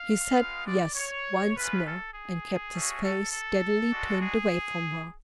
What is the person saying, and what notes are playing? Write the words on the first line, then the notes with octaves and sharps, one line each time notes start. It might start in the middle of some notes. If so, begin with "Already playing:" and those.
He said "Yes" once more--and kept his face steadily turned away from her.
Already playing: F5
G#3 B3 F4
D5
C#5
G#3 C#4 F4 B4
A4
G#4
A3 C#4 F#4
A4
A4
G#3 D4 F#4
G#4